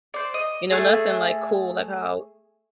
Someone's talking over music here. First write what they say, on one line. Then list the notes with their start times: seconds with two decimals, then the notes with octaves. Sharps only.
you know, nothing like cool, like how,
0.14 C5 D5
0.34 D#5
0.70 A3 G#4